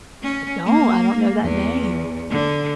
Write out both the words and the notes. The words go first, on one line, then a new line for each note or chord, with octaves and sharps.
I don't, I don't know that name.
C#4
A#3
E2
D3